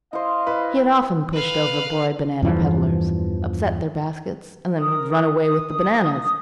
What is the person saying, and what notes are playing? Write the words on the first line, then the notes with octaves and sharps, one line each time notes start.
He had often pushed over boy banana peddlers, upset their baskets and then had run away with the bananas.
E4 C5 D#5 F5
E4 B4
B4 F5
E2 G2 E3 F3
A#4 D#6
D#6